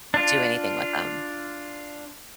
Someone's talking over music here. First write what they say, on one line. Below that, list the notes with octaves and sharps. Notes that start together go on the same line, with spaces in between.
do anything with them.
D4 F4